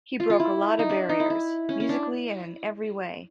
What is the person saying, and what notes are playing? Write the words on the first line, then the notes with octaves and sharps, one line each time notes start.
He broke a lot of barriers, musically and in every way.
F4
F4
E4
D#4
D4
D#4
E4
E4
C#4
C#4
D4